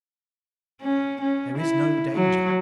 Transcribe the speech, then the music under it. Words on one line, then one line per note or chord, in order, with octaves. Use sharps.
"There is no danger."
C#4
C#4
E4
F#3